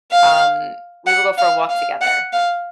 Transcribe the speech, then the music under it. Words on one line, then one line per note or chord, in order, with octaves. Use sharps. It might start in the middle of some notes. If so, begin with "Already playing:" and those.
um, we will go for a walk together.
F5
F#5
F5
F5
F#5
F5